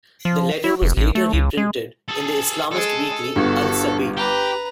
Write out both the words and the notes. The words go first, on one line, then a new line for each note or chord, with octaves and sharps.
The letter was later reprinted in the Islamist weekly "Al Sabil".
F3
E4
F1
A1
A3
C#2
G#3
G#4 A4
G#3 G#4 A4
G1 G2 F#4
G4 B4 A#5